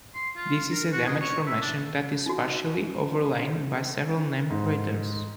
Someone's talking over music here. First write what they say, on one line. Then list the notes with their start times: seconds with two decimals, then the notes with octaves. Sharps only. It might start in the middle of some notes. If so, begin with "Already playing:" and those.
This is a damaged formation that is partly overlain by several named craters.
0.14 C6
0.36 F4
0.71 A#4
0.92 F#4
1.06 G#4
1.21 C#5
1.46 E5
1.61 D4
2.26 D#4 F#4
4.50 G#2